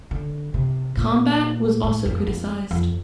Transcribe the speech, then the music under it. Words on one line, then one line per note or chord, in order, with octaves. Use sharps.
Combat was also criticized.
D3
C3
A#2
A2
F2
F2
F2